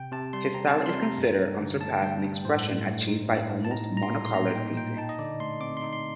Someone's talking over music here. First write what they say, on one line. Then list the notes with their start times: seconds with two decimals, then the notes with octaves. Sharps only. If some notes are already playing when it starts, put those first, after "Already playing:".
His style is considered unsurpassed in expression achieved by almost mono-colored painting.
Already playing: C3 G5
0.12 C3 A5
0.33 G3 C6
0.54 C4 A#5
0.70 A5
0.76 C3
0.86 C6
0.97 C3 A#5
1.18 G2
1.39 G2
1.60 D3
1.81 A3 A5
2.02 G2 G5
2.24 G2
2.44 A2 C5
2.66 A2
2.87 A3
3.07 D#4
3.29 A2
3.50 A2
3.65 A5
3.71 D#4 A#5
3.92 A#2 A#5
4.03 C6
4.13 G3
4.26 C6
4.34 A#3 A#5
4.55 D#4 G5
4.77 A#2 G5
4.97 D#4 A5
5.09 D#5
5.19 D3 D5
5.40 A3 C6
5.60 C4 D6
5.77 C6
5.82 D#4
5.93 C6